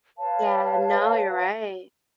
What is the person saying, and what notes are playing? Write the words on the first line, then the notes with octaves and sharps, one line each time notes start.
Yeah. No, you're right.
B4 C#5 F5 A5